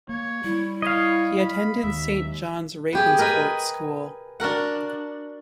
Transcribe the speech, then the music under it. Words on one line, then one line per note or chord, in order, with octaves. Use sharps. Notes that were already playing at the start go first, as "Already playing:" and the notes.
He attended Saint John's-Ravenscourt School.
A#3 C#5
G3 E4
C#5 D#5 F5
B5
D#2 D#3 G#3 E5
B3 G4 G#4
A#4 B4 D#5 G5 G#5
D4 F#4 A#4 F#5